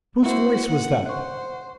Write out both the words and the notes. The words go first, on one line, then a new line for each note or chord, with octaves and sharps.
"Whose voice was that?"
A#3 E4 F#4 C5
F#5
C5 F#5 C#6